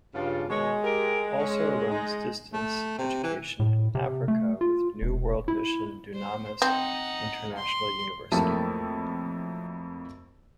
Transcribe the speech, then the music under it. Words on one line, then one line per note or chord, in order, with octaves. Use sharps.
Also runs distance education in Africa with New World Mission Dunamis International University.
G2 C#3 D4 F4
B2 D#3 G#3 C#5
G4 A#4
C#4
D#4
A3
C3
E3
A2
C3
A3
F4
E1
E4
C5
C4 D#4 F#5
C6
F2 F#3 A3 A#3 E4 A5